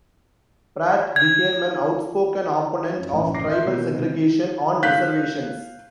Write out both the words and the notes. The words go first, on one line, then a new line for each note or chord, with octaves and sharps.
Pratt became an outspoken opponent of tribal segregation on reservations.
G#6
F#2
A1 F#2 A2
D6 A#6 C7
E5 C6 F#6 G6
B2 A#3
C3 G#3
F5 F#6 G6 B6